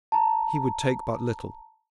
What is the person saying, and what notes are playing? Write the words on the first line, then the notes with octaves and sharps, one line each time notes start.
He would take but little.
A5 A#5